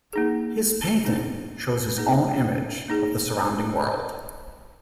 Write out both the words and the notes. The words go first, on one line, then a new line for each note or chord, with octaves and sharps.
His painting shows his own image of the surrounding world.
A#3 D#4 G#4
A#3 D#4 G#4
A#3 D#4 G#4
A#3 D#4 G#4